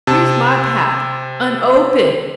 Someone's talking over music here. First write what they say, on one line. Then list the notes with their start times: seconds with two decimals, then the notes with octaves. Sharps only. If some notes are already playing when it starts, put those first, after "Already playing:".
"Here's my pack unopened!"
0.07 C3 A5